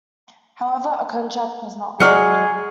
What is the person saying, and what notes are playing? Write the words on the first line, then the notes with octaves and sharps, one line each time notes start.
However, a contract was not offered.
F#3 G#3 G#4 D5 C#6 F6 C#7